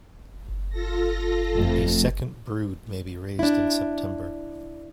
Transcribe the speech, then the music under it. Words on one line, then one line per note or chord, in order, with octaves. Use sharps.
A second brood may be raised in September.
F4 A4 A#6
F2 A3
D4 E4